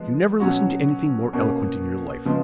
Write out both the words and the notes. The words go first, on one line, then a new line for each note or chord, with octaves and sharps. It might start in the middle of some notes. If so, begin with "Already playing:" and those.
You never listened to anything more eloquent in your life.
Already playing: F3 G#3 B3
B2 F#3 C#4 F#4
B2 A#3 C#4
C#3 F3 G#3 B3